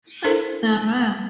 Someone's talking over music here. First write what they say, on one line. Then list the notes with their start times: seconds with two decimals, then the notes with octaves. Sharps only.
Since the Rev.
0.24 D4 E4 A4 A#4 C5